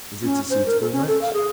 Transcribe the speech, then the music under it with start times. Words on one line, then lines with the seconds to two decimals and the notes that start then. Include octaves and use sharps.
"Is it a suitable match?"
0.24 C#4
0.50 C5
0.66 A#4
0.80 A4
0.92 C#4
1.07 A4
1.21 F5
1.33 G#4